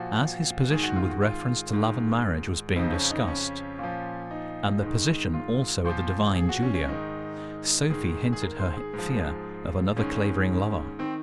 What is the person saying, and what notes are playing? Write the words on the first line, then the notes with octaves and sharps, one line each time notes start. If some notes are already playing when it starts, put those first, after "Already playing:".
As his position with reference to love and marriage was being discussed, and the position also of the divine Julia, Sophie hinted her fear of another Clavering lover.
Already playing: A#2 F3 F#4
G#2 D#3 G#4
F#4
F4
F#4
F4
G#2 D#3
F2 C#3 F3 D#4
C#4
D#4
C#4
A#2 F3
D#4
G#2 D#3
F4
A#2 F3 C5
G#4
F#4
C#4
C#4
G#2 D#3 D#4
G#2 D#3 G#4
G#4
A#4
C5
G#4
G#2 F3
G#2 D#3 C#4
D#3 C4